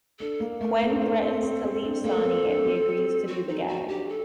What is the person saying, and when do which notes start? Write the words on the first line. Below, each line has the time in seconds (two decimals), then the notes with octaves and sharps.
Gwen threatens to leave Sonny if he agrees to do the gag.
0.20 D4 A4
0.40 A#3
0.61 A3 A#4
0.82 A#3 A4
0.96 C4
1.02 D4
1.22 C4
1.43 C4
1.64 C4
1.84 D4
2.04 A#3 A4
2.17 A#3
2.25 C4
2.45 D4
2.65 C4
3.27 F#4
3.48 D#4
3.68 F#4
3.88 D4 G4
4.09 A4